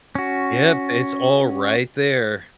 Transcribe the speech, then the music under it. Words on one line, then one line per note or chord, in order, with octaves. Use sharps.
Yep. It's all right there.
C#4 F#4